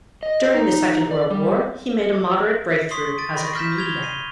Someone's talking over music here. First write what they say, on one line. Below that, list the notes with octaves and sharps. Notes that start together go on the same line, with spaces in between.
During the Second World War he made a moderate breakthrough as a comedian.
D#5
D#4
D5
G3
C6 C#6 D#6 B6 C7
A6 D7 D#7
B5 C#6 A#6 D7
F6 G6 B6 E7
G#6 D7 F7 G7
C7 D#7 G7